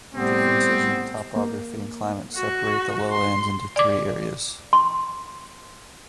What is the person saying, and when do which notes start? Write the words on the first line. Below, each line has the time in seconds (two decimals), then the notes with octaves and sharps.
Differences in topography and climate separate the lowlands into three areas.
0.15 A2 C3 G3 B3 C4
1.36 A#3
2.36 F#4
3.12 C6
3.76 D5 D6
4.73 C6